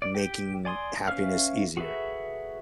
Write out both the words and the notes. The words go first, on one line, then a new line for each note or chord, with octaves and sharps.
making happiness easier,
D5
G4 G5
D5 G#5 C6 D#6
C#4 B4 E5 F5 F6
F#4 G#4 A4 B4 E5